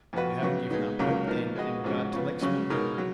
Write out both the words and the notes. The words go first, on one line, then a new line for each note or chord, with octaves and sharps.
"You haven't given up hope, then, in regard to Lexman?"
F2 F3 B3 F#4 B4
C#3 F#3 B3
G#3 B3 D#4
C#2 C#3 F#3 A#3 C#4
F3 B3 D#4 A#4
G#3 B3 F#4 B4 D#5
G#2 F3 G#3 C#4 F#4
C#3 F3 B3
C#3 F#3 C#4
B2 G#3 D#4 A#4
F#3